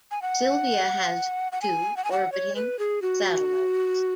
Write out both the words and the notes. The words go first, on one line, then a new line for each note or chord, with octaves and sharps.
Sylvia has two orbiting satellites.
G#5
F#5
F#5
G#5
F#5
G#5
F#5
C#5
B4
G#4
F#4